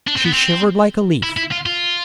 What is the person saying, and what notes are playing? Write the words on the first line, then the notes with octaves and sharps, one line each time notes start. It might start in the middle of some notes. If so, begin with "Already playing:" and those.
She shivered like a leaf.
D4
C4
B3
C4
E4
E4
F4
F4